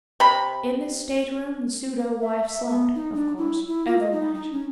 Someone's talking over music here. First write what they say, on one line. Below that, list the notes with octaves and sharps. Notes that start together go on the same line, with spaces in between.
In this state-room the pseudo-wife, slept, of course, every night.
C3 B5
E5
E5
B3
D#4
D4
E4
E4
F4
D#5
D#4
D#4
C#4